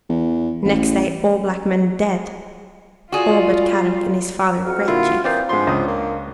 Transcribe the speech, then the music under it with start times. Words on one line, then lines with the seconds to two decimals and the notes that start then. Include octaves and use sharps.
Next day all black men dead, all but Kadok and his father, great Chief.
0.09 E2
0.65 A1
3.12 F4 F#4 G#4 D5
3.51 G3
4.64 F2 F#4 F6
4.88 A#2 D3 E4 F4
5.24 E3 C4 A#4 D5 F5 D#6 G6
5.49 G#2 F3 D4 C6
5.67 C#2 D#6
5.87 A#3